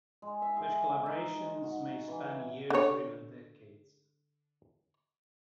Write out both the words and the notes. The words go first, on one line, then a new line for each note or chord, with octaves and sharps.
Such collaborations may span years or even decades.
G#3
E5
G#4
D#4
D#4
F#4
E3
D3 C#5